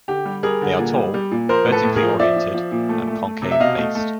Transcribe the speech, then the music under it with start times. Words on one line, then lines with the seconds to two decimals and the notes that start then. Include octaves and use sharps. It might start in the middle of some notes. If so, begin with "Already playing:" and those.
They are tall, vertically oriented, and concave-faced.
0.08 D3 G4
0.25 G3
0.43 G3 G#4 A#4
0.61 D3
0.79 A#2
0.96 G3
1.14 G3
1.31 A#2
1.49 F3 A#4 C5
1.66 A2
1.72 A4 B4
1.84 A2
1.96 G#4 A#4
2.02 F3
2.19 F3 D5 E5
2.36 F3
2.54 F3
2.71 A#2
2.89 A3
3.07 A3
3.25 A3
3.42 C3
3.51 E5
3.60 B2 D#5 F5
3.78 A3
3.95 A3